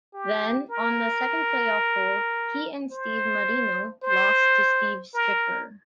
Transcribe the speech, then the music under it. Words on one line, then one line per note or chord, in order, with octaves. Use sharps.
Then, on the second playoff hole, he and Steve Marino lost to Steve Stricker.
G4
A#4
C5
C5
A#4